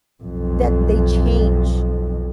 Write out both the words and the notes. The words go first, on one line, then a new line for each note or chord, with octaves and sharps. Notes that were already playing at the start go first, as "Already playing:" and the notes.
that they change
B1 F2